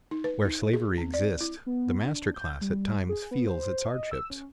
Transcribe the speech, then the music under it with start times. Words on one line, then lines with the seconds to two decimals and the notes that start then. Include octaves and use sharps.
Where slavery exists the master class at times feels its hardships.
0.11 D#4
0.24 B4
0.45 D#4
0.73 G#4
0.98 C4
1.14 D5
1.41 E4
1.66 B3
2.04 D4
2.34 G6
2.61 G3
3.09 G#4
3.31 B3
3.47 C5
3.88 D#5
4.11 E6
4.30 C#4